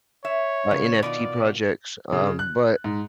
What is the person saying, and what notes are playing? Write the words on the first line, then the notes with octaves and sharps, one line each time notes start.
uh, NFT projects, um, but
C#5 E5
C#3
B2 D#3 F4 D5
C#3
F#6
G#2